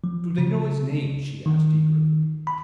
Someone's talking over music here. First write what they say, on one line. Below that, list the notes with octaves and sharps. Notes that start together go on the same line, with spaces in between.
"Do they know his name?" she asked eagerly.
F3
C#3
D#3
B5